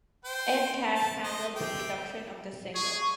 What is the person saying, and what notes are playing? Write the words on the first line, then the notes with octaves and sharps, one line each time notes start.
Ed Cash handled the production of the single.
C5 G5
A5
C5 D#5
C4 G4 G5
G#4 C#6